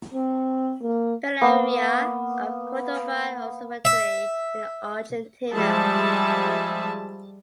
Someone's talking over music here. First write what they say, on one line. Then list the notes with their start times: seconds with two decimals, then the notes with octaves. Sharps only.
Pereyra of Cordoba observatory in Argentina.
0.14 C4
0.82 A#3
1.41 A#3 B3
3.85 E5
5.53 F3 G3 G#3 G#4 E5 A5